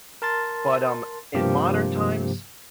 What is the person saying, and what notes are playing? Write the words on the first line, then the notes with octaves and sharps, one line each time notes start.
But, um, in modern times,
A#4 A5 C6 A6
G2 C3 F3 A#3 G4